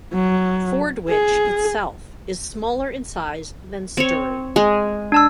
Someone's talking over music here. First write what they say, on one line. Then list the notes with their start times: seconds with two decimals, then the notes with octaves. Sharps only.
Fordwich itself is smaller in size than Sturry.
0.13 F#3
1.09 G#4
3.97 C4 C#5
4.56 G#3 G#4
5.12 D4 A5 E6